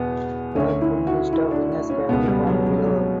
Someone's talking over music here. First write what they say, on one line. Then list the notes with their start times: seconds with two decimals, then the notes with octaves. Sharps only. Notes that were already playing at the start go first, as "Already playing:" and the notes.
The full list of winners can be found below.
Already playing: E2 B2 B3
0.55 D2 D3 C#4
0.81 E4
1.07 F#4
1.33 E4
1.51 D4
1.90 C#4
2.09 C#2 B2 B3
2.28 G3
2.47 F#3
2.66 F#3
2.86 F#3